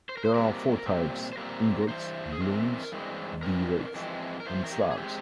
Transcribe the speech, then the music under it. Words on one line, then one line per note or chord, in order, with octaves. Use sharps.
There are four types: "ingots", "blooms", "billets", and "slabs".
C5
A#4
C5
A#2 G3 C4 A#4
A#2 G3 C4
C5
A#2 G3 C4 A#4
G2 E3 C5
G#4
G2 E3 G#3 C4 A#4
G2 E3 G#3 C4
G2 E3 G#3 C4 A#4
F2 E3 G#3 C4
A#4
F2 E3 C5
A#4
G4
G#4
G#4
E3 G#3 C4 G4